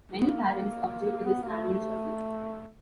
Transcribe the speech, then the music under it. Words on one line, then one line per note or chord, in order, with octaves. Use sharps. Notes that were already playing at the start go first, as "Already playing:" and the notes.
Many parents object to this annual shuffle.
B3
A#3
B3
A#3
A3
A3